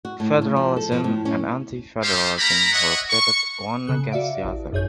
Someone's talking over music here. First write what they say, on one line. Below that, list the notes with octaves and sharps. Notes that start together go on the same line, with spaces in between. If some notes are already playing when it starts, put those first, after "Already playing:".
Federalism and anti-federalism were pitted one against the other.
F#4
A2
D2
F3
A4
F3
A2
C#4
C4 D#4 F4 G4 C5 F5
A#3 A#5 B5
C#5 D#5 E5 F#5
C#6
C#3 A4 F#6
F#4 D5 E5 F5 D7
A1
G#1 F#2 G#4 C#5 G6